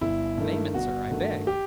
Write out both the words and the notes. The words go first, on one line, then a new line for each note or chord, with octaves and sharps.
"Name it, sir, I beg."
G1 E4
G2 D#3 A3
G1 F#4
G2 D#3 A3
G4